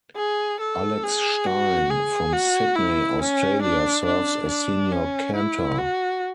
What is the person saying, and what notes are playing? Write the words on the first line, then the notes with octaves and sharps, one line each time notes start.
Alex Stein from Sydney Australia, serves as senior cantor.
G#4
A4
G#4
F#4
G#4
F#4
E4
C#4
D4
D4
D4
C#4
E4
F#4